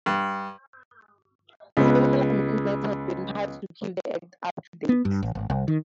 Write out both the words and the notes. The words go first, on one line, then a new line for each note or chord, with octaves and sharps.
Several amendments have been passed to keep the Act up to date.
G2
C#2 B3
B3
G2
A1
G#1
C2
D#3